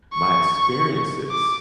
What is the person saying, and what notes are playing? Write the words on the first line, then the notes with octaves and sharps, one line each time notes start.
my experiences
C#6
D6